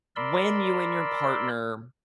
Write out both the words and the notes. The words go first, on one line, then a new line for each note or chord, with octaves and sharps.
when you and your partner
A#4 D5 B5 C6 E6